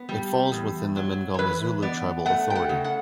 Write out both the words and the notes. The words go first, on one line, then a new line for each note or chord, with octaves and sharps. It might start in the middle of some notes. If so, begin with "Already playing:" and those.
It falls within the Mngomezulu Tribal Authority.
Already playing: B3
G3
E2
F#3
C#5
E3 B4
B3 D5
A3 F#5
G5
F#5
C#3
F#5